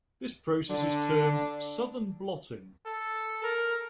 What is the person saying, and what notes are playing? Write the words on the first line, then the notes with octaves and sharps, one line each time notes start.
This process is termed Southern blotting.
D3 D4
A4
A#4